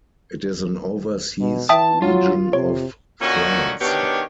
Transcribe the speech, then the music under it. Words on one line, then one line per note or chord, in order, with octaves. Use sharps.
It is an overseas region of France.
B2
E3 E5 G5 A5 D#6
F#3 F4
C3 C#5
A#2 D3 D#3 C#4 F#4
B2 D#3 D4 G4 C#5